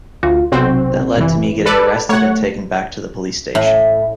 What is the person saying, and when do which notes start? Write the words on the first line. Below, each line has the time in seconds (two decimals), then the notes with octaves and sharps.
That led to me getting arrested and taken back to the police station.
0.23 D2 F4
0.52 B1 C3 C4 F#4
1.17 F#1 C3 E3
1.66 A4 B4 D5
2.09 A3 C#5 F#5
3.55 A2